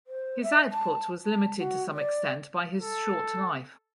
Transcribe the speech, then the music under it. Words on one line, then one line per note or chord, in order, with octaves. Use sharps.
His output was limited to some extent by his short life.
C5
E5
A5
A5
F#4
D5
A4